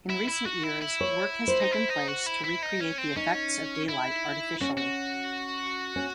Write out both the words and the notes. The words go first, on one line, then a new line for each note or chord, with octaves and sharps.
In recent years, work has taken place to recreate the effects of daylight artificially.
E4
E4
F#4
E4
E4
C#5
C5
D#4
E4
D#4
F#4
E4
E4
D#4
C#4
C4
C#4 D#4
E4
C#4 F#4
F#4
C#4